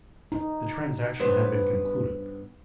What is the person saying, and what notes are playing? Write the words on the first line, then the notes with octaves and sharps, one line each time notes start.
The transaction had been concluded.
D#4
G2 B3 C5